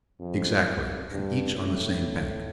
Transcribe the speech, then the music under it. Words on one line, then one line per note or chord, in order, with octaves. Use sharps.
"Exactly, and each on the same bank."
F2
G2
A2